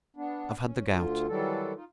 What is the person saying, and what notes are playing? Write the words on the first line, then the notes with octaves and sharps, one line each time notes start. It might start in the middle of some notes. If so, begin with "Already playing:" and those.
I've had the gout.'
B3 D4
C#4
D2 D3 F4
D#3 E3 F#3 G3 A4
D#4 F4